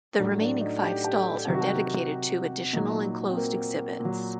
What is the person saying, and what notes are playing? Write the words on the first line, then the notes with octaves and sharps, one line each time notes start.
The remaining five stalls are dedicated to additional enclosed exhibits.
A2 F#3 D4
D4
D#4
G4
G4
A4
C3 D#3 F#3 G4
F#4
G4
A#2 F#3 D#4
C4
A#3
A#2
F#3